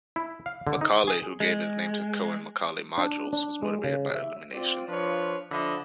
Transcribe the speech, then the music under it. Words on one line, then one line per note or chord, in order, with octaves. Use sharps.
Macaulay, who gave his name to Cohen-Macaulay modules, was motivated by elimination.
E4
F5
D3
D#4
G#4
G#3
D4
D4
G#3
C#3
E5
C4 F4 D5
F3 D4 F4 B4 C#5
D3 F3 D#5 E5 B5